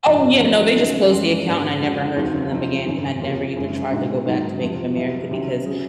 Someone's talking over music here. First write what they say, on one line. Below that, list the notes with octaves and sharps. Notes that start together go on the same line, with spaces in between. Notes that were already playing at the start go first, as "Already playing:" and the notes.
Oh yeah, no, they just closed the account and I never heard from them again, and I never even tried to go back to Bank of America because, uh,
G#1 F#2 C#3 F3
C3 F3 G#3 D#4 A#4
D#2 C#3 F#3 C#4
F#2 F3 G#3
G#1 G#2 D#3 A#3 C#4
F2 C#3 G#3 C4 F#4
F1 D#2 D#3 F#3 C4
C#2 C3 F3 C4 D#4
G#1 F#2 D#3
F2 C3 F3 A#3
F#1 F#2 D#3 G#3
A#1 A#2 G#3 D#4 F#4
G#2 D#3 F#3 A#3 D#4
F2 C3 F3
C2 C3 F#3
C2 C3 D#3 F#3 C#4
F#3 C#4 G#4